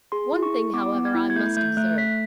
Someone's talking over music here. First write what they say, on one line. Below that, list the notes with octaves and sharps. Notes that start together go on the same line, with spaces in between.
One thing, however, I must observe.
G#4 C6
E4
C#6
E4
B3 D6
B3
G#6
E4
G#6
A3 G6
A3 G6
A3 F#6
A3 B6